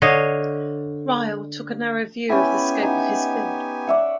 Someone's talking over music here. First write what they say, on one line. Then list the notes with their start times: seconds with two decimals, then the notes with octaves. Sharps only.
Ryle took a narrow view of the scope of his field.
0.02 D3 C#5 D#5 F5
2.29 B3 C#4 E4 G4 G#5
2.82 D#4 F#5
3.87 D5 E5 F#5